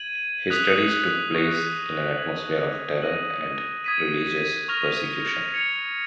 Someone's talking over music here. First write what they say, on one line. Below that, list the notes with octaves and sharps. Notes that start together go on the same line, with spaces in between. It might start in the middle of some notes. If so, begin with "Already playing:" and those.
His studies took place in an atmosphere of terror and religious persecution.
Already playing: G#6 D#7 F#7
D#6 F#6 B6 F7
C#6 F6 A#6
G#6 B6 F#7
D#6 A#6 D#7 F#7
D#6 G#6 B6 D#7
C#6 F6 A#6 F7
G#6 C#7 F7